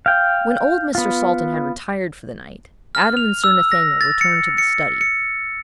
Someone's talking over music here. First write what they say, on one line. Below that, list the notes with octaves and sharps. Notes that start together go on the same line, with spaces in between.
When old Mr. Salton had retired for the night, Adam and Sir Nathaniel returned to the study.
F5 G5
B3 F4
F6
F7
E6
A#6
A6
C#7
C#7
C#7